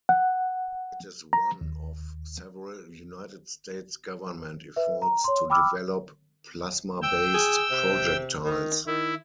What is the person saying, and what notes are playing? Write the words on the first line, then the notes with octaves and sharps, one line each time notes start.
It is one of several United States Government efforts to develop plasma-based projectiles.
F#5
A#5
D#2
B4 E5
A#5
C#5 C6
G5 B5 D6 E6 F6
G5 E6
G#4
C3
D#3
D#3 E4